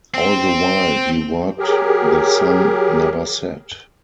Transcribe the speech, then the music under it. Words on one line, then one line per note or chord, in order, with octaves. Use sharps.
All the while he worked the sun never set.
C4
F#3 G4 G#4 A#4